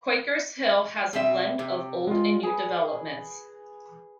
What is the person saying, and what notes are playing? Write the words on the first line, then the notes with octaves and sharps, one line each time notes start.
Quakers Hill has a blend of old and new developments.
B2 C4 E5
C3 G4
G#3 F4
G#4 B4